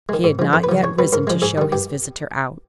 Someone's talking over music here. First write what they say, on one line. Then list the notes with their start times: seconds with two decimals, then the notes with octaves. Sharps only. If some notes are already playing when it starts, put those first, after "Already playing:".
He had not yet risen to show his visitor out.
0.09 D#3 G#3
0.24 G#2
0.39 F3 G#3
0.53 F2 C5
0.64 B4
0.69 C#3 F3
0.83 E2 C#5
0.99 B2 G3 B4
1.13 G#2 A#4
1.27 F3 G#3
1.42 G#2 G#4
1.58 D#3 G3
1.72 G2 G4